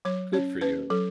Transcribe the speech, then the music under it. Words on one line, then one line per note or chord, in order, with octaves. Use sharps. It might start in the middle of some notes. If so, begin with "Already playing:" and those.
Good for you.
F#3 C#5
C#4 C#5
C#4 B4
F#3 A4